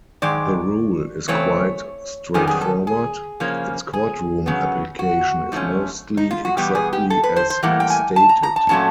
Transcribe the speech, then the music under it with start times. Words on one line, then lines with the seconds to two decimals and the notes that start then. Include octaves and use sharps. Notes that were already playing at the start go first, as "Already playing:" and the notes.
The rule is quite straightforward; its court room application is mostly exactly as stated.
0.22 G#2 D#3 G#3 D5
1.28 C#3 E3 A3 C4 C#5
2.34 F#2 D#3 G3 B3 G#4
2.47 G#4
2.61 A4
2.87 G#4
3.40 C#3 F3 A#3 C#4
3.93 G#4
4.46 C#3 F#3 B3
4.99 F#4
5.52 G#2 F3 A3 C#4
6.17 D#4
6.31 F4
6.45 F#4
6.57 E2 B2 G3 B3 G4
6.75 G#4
6.93 G4
7.10 A4
7.23 B4
7.36 C5
7.50 C5
7.63 A2 E3 G3 A#3 F#5
7.80 G5
7.90 G#5
8.16 A5
8.29 A#5
8.43 A#5
8.56 A5
8.69 A#2 F#3 A3 C#4 A5